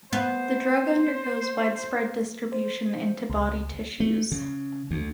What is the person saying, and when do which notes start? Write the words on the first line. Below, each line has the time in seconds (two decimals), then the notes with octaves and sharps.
The drug undergoes widespread distribution into body tissues.
0.13 B3 C5
2.52 C5
3.30 C#2
4.00 A3
4.32 C#3
4.91 D2